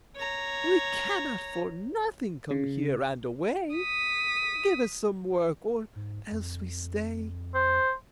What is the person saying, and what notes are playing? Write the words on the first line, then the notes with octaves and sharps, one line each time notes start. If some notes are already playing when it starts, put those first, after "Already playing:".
"We cannot for nothing come here, and away. Give us some work, or else we stay."
C#5 A#5
C#3
D#6 B6
G#2
F2
C5